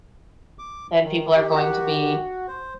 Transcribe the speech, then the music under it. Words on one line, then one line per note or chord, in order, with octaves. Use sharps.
then people are going to be
D6
D#3
D#3 G4
F#4
C5